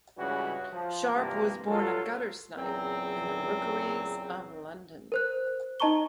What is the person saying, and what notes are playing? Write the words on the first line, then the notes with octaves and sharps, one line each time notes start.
Sharpe was born a guttersnipe in the rookeries of London.
C#2 G2 C#3 E3 G3 F#4
F3
G2 C3 E3 F3 A#3
G2 F#3 F4 A4
E2 A#2 C#3 F#3 C4
A#4 C5 F#6
D#4 D#5 A5 A#5 C#6 G7